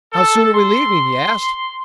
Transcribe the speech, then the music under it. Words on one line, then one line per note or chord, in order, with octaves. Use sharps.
"How soon are we leaving?" he asked.
A4
C6